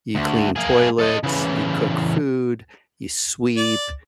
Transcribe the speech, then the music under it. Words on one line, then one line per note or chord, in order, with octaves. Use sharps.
You clean toilets, you cook food, you sweep.
D2
A#3 G#4
A4 D#5
C#3 E3
D5